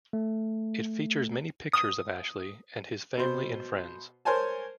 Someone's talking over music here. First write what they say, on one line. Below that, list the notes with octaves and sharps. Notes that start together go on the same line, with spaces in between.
It features many pictures of Ashley and his Family and Friends.
A3
D#6
B2 C5
A#4 C5 C#5 G#5 A5